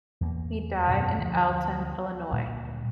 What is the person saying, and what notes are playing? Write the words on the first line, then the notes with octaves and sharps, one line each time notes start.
He died in Alton, Illinois.
E2 A3 A#3
F#2 B2 D#3
D2 F3
D2 A#2 G3